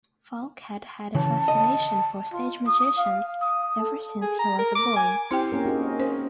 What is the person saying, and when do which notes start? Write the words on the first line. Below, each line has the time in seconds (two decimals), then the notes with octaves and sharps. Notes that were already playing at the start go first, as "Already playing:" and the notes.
Falk had had a fascination for stage magicians ever since he was a boy.
1.15 C#3 E3 A5
1.48 D#5
2.33 F4
2.67 D#6
2.98 F5
3.42 D#6
3.78 A4
4.22 G#4
4.39 A#5
4.59 A#4
4.75 D6
4.96 G#5
5.31 C4 E4 G4 C5 G5
5.52 A#3 C#4 A#4
5.65 D#4 F#4 G#4
5.83 D#5
6.00 C#4 C5